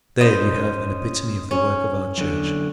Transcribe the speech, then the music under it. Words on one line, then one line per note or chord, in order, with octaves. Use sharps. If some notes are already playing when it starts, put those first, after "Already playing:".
There you have an epitome of the work of our Church.
C#4 C5 D#5
C#4
F#2 D3